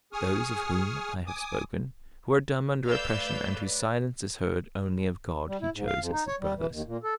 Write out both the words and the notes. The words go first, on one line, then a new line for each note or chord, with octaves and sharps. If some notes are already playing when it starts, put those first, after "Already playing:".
Those of whom I have spoken, who are dumb under oppression, and 'whose silence is heard only of God,' he chose as his brothers.
G#4 G#5 C#6 D#6 F6
G#5 D6 D#6
A3 B4 D5 F5 E6 G6
G3
E4
G#2
F5
F2
D#4
C#5
G3
E3
D#2
A#2
A4